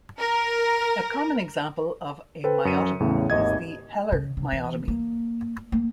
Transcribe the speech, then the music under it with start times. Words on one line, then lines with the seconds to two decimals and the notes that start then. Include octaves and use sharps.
A common example of a myotomy is the Heller myotomy.
0.19 A#4
2.44 A4 B4 C5 G5
2.65 F#2 C#7 D#7
3.00 E2 A2 C#3
3.30 G#1 D#2 D#5 G#6
4.12 C#3
4.37 C#3
4.52 E3
4.88 A#3
5.72 A#3